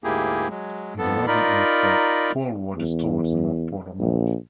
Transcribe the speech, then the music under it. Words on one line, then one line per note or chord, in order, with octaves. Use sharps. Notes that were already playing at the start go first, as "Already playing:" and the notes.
In the Northern Hemisphere, poleward is towards the North Pole, or north.
D2 G#2 A#3 E4 G4 G#4
F#3 G#3
F2 B3 A4
D#4 F4 A#4 D5 B5
E2
A#1